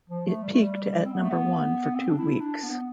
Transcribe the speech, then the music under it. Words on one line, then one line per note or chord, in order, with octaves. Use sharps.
It peaked at number one for two weeks.
F3
A3
G3
A3
G3
G3
C4
B3
A3
B3
C4
D4
E4
D4
B3